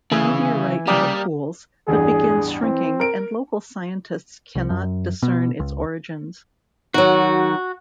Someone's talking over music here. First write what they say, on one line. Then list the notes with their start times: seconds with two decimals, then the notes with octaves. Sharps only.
The meteorite never cools, but begins shrinking and local scientists cannot discern its origins.
0.12 D2 C#3 E3 E4 G#4
0.87 C2 C#3 G3 A#3 G4 D5 D#6
1.88 A1 E2 G2 G#4
2.63 E3 C4
3.00 A#4 D7
4.55 C2
4.70 F#2
5.23 B2
5.60 C#2
6.94 D#3 F#3 F#4